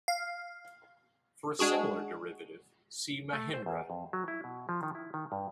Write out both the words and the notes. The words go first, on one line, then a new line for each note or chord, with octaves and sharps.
For a similar derivative, see Mahindra.
F5
G#3 D4 F#4 G#4
A3
C5
E2
F2
F#3
E4
B2
F3
D#3
E4
D#3
G2